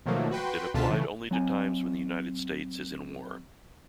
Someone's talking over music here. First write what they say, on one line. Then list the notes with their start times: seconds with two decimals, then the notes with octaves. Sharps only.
It applied only to times when the United States is in war.
0.06 B2 D#3 F3 F#3 A3 A#3
0.31 F#4 B4 G5 C6
0.74 C#2 B2 D3 F4 A5 B6
0.89 C#3 E3 A3
1.31 F#3 C4 G#5